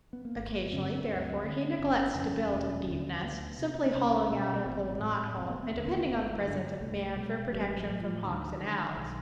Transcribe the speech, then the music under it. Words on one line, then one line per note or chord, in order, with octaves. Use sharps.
Occasionally, therefore, he neglects to build a deep nest, simply hollowing out an old knot-hole, and depending on the presence of man for protection from hawks and owls.
B3
A#3
G#1 A3
B3
G2 D3 C#4
C4
D2
D3
C4
G1 C#4
F2 C#3 C#4
E1
D#2 D3
D2 B3
C3
D4
C2 C#4
B2
B3
A1 C4
A2
F1 C4
B3
C4
D#2 D3 B3
A#3
B3
G#1
G2 D3
C2 A3
B2 G#3
A1 G3
F#3
A2
F3
D2 D#3
D3
B1